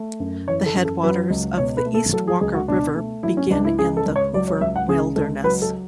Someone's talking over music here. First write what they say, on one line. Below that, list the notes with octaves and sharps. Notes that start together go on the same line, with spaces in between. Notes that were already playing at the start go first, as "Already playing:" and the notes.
The headwaters of the East Walker River begin in the Hoover Wilderness.
Already playing: A3
F#2
E3 C#5
A4
F#2
A4
F#3 B4
C#2
B2 C#5
B4
A3
A4
F#3 A4
G#4
C#2 G#4
F#4
B2 D4
A3
F#3 E4
C#4
C#2 D4
E4
C#3 G#4
A4
C#2
C#5
F#3 D5
C#5
C#2 E5
F#5
C#3 G#4
C#2 A4
F#3 B4
A4